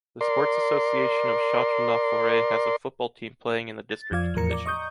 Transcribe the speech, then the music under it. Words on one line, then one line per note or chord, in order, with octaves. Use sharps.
The Sports Association of Châtres-la-Forêt has a football team playing in the district division.
A#4 D5 C6
A6
F2 F3 D5 F5 G#6
E2 A2 F3 A#4 A#5 C#7
D5 A#5 D6
D#5 C#6 D#6 G6